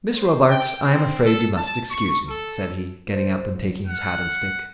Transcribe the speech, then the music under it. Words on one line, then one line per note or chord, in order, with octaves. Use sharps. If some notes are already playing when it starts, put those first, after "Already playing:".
"Miss Robarts, I am afraid you must excuse me," said he, getting up and taking his hat and stick.
C5
G5
C4
A4
A5
C#6
A4
C5
F#3
F#5 F6